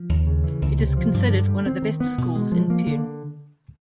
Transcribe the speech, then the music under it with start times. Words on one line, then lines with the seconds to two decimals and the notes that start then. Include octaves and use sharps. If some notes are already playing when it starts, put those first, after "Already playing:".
It is considered one of the best schools in Pune.
Already playing: F3
0.09 D#2
0.27 C#3
0.44 E3
0.62 C#2
0.78 C3
0.97 F3
1.14 G2
1.31 D3
1.48 G3
1.66 C4
1.82 D#3
2.00 B3
2.18 B2
2.35 G#3
2.52 F3
2.70 A#3
2.87 D3